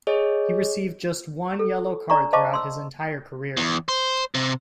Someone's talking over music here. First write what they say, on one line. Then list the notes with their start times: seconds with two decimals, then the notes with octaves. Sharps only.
He received just one yellow card throughout his entire career.
0.07 G#4 C#5 D#5
1.59 A4
2.10 D4 D5 A#5 C#6
2.33 C5 D#5 F5 A5 C#6 D6
2.53 C6 E6
3.57 E2
3.89 C5
4.35 C3